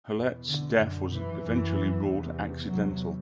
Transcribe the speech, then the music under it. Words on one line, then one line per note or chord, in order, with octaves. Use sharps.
Hulette's death was eventually ruled accidental.
E2 B2
D3
F#2 D3
E3
F#2
E2 C3
E2 C3 F#3